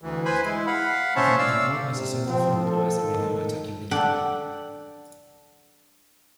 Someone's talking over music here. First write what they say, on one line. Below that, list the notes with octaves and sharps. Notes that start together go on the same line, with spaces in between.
He can be deployed as a centre-forward or as a winger or attacking midfielder.
D2 E3
B4 C5 G#5 B5
G#3 E4
F5 F#5 B5
C#4 C5 C#5 E5 A5
D5 F5 E6
C3
F3 C4
A4
D#3
D4 A4 D5 F#5 G5